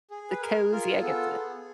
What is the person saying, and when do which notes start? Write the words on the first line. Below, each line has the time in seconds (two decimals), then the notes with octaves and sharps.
The cozy. I get the
0.11 G#4
0.30 B4
0.41 G#4 A#4
0.72 F4 A#4
1.02 B3 A4
1.32 G#4